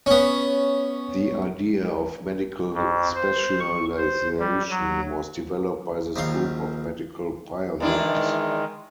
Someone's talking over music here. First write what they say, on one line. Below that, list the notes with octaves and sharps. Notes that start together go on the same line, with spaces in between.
The idea of medical specialization was developed by this group of medical pioneers.
B3 C#4
F2
C5
C#6
C5
G3
F#3
A#1 D#2 F5
E2 D#3 G#3 D4 E4